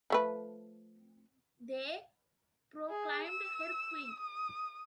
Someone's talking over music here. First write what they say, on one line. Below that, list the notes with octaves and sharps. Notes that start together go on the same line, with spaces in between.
They proclaimed her queen.
F3 A3 B4
G#4
E6
D#6